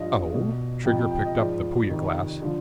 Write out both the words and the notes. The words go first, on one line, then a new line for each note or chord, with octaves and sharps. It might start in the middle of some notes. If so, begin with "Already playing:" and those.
"Oh?" Trigger picked up the Puya glass.
Already playing: G2 F3 D#5
B2
F2 C3 F3 G5
G5
G5
D#5
G#2 F3 D5
F2 C3 D#3
D3 F3